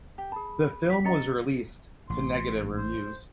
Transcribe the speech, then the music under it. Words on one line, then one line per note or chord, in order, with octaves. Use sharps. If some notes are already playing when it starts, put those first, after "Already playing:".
The film was released to negative reviews.
G4
G#4 A5 B5
B6
C#4 D#5 A#5 A6 C#7
A1 C6
C5